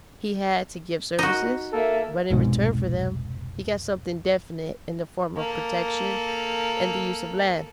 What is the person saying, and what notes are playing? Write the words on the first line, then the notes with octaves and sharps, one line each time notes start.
He had to give services, but in return for them he got something definite in the form of protection and the use of land.
D#4 F#4
A#3 A4 E5
F1 C2 G#2 B2
A#3 A4